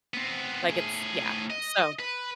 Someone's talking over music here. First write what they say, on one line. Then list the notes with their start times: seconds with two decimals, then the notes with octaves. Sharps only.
like it's, yeah, so
0.14 B3 C4
0.69 A2 G#4
1.50 D#5
2.00 B4